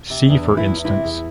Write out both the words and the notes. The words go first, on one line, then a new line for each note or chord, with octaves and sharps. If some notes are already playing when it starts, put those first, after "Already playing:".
See for instance.
C3
E2 D4
E3
E4
E2
C3 E4
E2